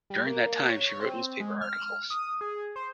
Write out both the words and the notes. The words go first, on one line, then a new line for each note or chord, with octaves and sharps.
During that time she wrote newspaper articles.
G3
A#3
C#5
C4
G#3
F6
D#6
G#4
C5